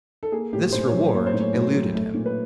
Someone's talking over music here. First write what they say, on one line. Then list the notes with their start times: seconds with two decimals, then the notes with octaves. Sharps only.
This reward eluded him.
0.23 A4
0.32 A#3 G#4
0.53 A2 G4
0.72 A2 C5
0.87 C#5
0.93 F#3
1.14 A#3 C#5
1.27 C5
1.34 A2
1.40 C#5
1.53 A2 C#5
1.74 F#3
1.95 A3
2.14 A#2
2.26 B4